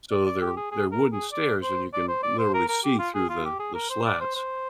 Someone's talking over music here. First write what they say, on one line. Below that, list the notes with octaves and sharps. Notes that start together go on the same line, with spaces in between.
so, they're they're wooden stairs, and you can literally see through the the slats.
D5
D5
G4
G#4
G#4
A#4
G#4
D5
C5
D5
C5
D5
C5
A#4
A#4
G4
F4
G#4
F4
G4
G#4
A#4
C5
D5
C5
C5